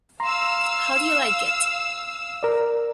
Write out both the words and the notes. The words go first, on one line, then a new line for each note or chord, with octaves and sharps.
How do you like it?
F5 A#5 C6 E6
A#4 D5